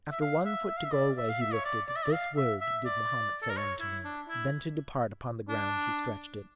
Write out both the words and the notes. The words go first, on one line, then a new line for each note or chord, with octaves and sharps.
After one foot to go away he lifted, This word did Mahomet say unto me, Then to depart upon the ground he stretched it.
E5
F5
E5
E5
F5
E5
D5
E5
F5
E5
C#5
D5
D5
E5
D5
F5
E5
E5
D5
A4
A#4
C#5
E4
D4
E4
D4